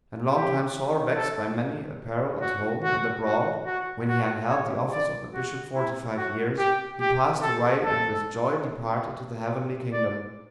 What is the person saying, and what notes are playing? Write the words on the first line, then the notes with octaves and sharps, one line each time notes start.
And long time sore vexed by many a peril at home and abroad, when he had held the office of a bishop forty-five years, he passed away and with joy departed to the heavenly kingdom.
G4
A4
F#4
F#4
F#4
F#4
F#4
C#5
D5
F#4
E4
F#4
G4
G4
A4
A4
D5